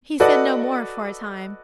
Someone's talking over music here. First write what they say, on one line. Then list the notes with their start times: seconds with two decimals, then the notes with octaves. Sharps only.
He said no more for a time.
0.20 F#4 A4 B4 D5 D#5 F#5